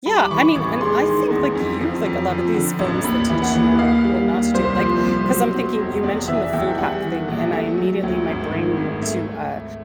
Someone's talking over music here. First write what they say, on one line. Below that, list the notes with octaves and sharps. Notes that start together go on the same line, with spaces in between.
Yeah, I mean, and I think, like you, like a lot of these films that teach you what not to do like 'cause I'm thinking- you mentioned the food hack thing, and I immediately my brain went to, uh,
G3 B5
D6
E3 C#6
A1 D6
G#3 C6
D#3
E2
F2
F3
F2
F3
D3
A1
D#2 B5
E3
F#5
D#2
D#2 F5
G3
D#2
C2 C5
F3
C2
F#3
B2
F1
E2 D5
E3 E5
E2 G5
G3 F#5
E3
A#1
A3
F#3
D2
G#1
D#3
G#1
A3